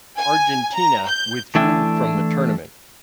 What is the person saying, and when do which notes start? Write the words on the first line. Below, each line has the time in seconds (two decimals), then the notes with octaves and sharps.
Argentina withdrew from the tournament.
0.18 G#5
0.76 A#5
1.08 G6
1.55 E3 A3 D4 E4 G5